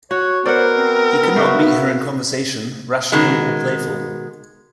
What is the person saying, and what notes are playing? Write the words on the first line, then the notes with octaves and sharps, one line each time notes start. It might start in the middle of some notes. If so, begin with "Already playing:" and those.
He could not meet her in conversation, rational or playful.
F#4 C#5
B3 A#4 C5 D5 F#5
C4
C#3 F#4 E5
B2 D#3 G#3